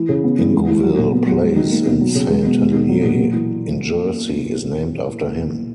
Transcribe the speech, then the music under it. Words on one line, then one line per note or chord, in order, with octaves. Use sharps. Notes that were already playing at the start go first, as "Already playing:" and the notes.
Ingouville Place in Saint Helier in Jersey, is named after him.
Already playing: E3
C#3
B3
E3
G#3
E3
F#3
A#2
B3
F#3
G#3
D#3
A#3
B2
F#3
C#3
G#3
B2
G#3
B2
F#3
A#2
A#3
E3